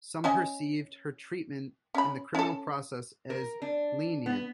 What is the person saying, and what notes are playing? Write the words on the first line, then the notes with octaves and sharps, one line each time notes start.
Some perceived her treatment in the criminal process as lenient.
C#4 D#5 G#5
C#4 B5
C#4 A4
A#4
D4
B3